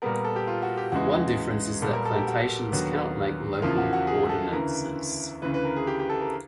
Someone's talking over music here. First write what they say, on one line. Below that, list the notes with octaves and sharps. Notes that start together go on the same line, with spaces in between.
One difference is that plantations cannot make local ordinances.
A#2 G3 B3 A#4
A#4
A4
G4
F4
F#4
G4
E2 C#3 E3 G#3 F#4
A#2 G3 B3 A4
A#4
A4
G4
F#4
D#2 D3 F#3 B3
E2 C#3 F3 A#3 F4
F#4
F#4
G#4
A4
D2 C#3 E3 A#4
D2 C#3 E3 B4
B4
A#4
G#4
G4
G4
A4
A#4